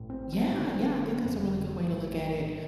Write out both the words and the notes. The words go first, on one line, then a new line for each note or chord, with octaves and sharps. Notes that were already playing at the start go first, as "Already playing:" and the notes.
Yeah, yeah, I think that's a really good way to look at it.
Already playing: A1 A2
C4
C4
F1 F2 D3 C4
F1 F2 D3
A1 A2